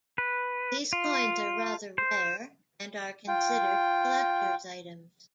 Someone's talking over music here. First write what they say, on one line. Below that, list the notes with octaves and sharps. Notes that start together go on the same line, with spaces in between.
These coins are rather rare, and are considered collectors' items.
B4
F4
C5
F4 G5